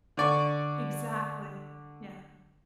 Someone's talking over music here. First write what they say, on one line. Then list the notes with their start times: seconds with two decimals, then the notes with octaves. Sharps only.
Exactly. Yeah.
0.17 D3 D5 C#6